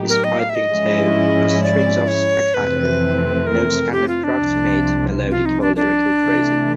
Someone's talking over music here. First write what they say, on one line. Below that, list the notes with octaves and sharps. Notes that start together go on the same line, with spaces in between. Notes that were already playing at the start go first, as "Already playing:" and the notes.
His piping tone and strings of staccato notes can't approximate melodic or lyrical phrasing.
Already playing: A2 F#3 B3 D#4 G4
A#4
D#5
F5
E5
D#5
G#2 F3 G#3 C#4 E4
D5
C#5
F2 C3 E3 A3 C4 B4
A#4
G4
F4
D4
C2 C3 F3
F4
D#4
D4
D4
C3 E3 A3